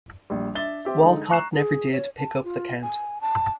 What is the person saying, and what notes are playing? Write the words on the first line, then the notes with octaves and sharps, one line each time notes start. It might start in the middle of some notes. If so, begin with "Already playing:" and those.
Walcott never did pick up the count.
A#1 G3
D4 E5 A6 G7
C4 G4 E5
D3 G#3 D#4
A#5 C#6 F#6 C7 E7
G#4
C#5
A5
F4
G#5
A5